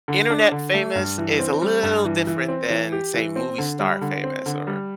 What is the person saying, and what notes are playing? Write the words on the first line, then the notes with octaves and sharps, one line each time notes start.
Internet famous is a little different than, say, movie star famous or
D3
D4
D3
A3
G2
E3
C4
G3
G2
E3
E3
C4
E3
G4
E3
C4
D3
G3
D3
C4
D3
G3